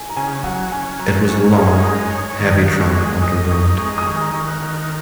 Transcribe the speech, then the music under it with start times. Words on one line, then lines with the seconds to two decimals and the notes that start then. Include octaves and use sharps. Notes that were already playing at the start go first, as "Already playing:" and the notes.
It was a long, heavy tramp underground.
Already playing: G#5
0.09 A#5
0.17 C#3 G#5
0.44 F#3 F#5
0.72 C#4 G#5
0.99 F#3 A#5
1.28 C#4 G#5
1.55 G#3
1.83 D#4
2.11 C#5
2.39 D#3
2.67 F#3
2.95 G#3 C#6
3.22 D#5 D#6
3.51 D#4 C#6
3.78 G#3 C#6
3.98 D#6
4.06 D#3 C#6
4.20 A#5
4.34 D#3 C#6
4.48 F#6
4.62 D#3 F#6